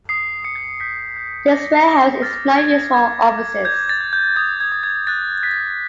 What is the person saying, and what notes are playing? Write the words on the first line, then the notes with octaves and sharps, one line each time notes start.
This warehouse is now used for offices.
D#6 C7
D#6 C#7
G6 B6
G6
D6 A#6
D6 A#6
F6 A6
F6 G#6
D6 G#6
D6
G6 G#6
A6
G6
G6
D#6 G#6
G#6
D#6
G#6
F#6 A6
F#6 B6